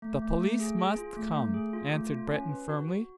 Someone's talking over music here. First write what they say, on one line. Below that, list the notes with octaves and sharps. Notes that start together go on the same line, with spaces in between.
"The police must come," answered Breton firmly.
A3
A3
A3
G#4
G#4
F4
A3
A3
G#4
F4
A3
F4
C#4
B4
F#4
F#4